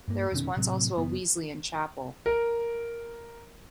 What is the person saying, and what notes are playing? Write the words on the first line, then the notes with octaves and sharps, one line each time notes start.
There was once also a Wesleyan chapel.
G2 A#3
F1 B2 D#3 C#4
A2 C3 F#3 C4
F#1 B3
A#4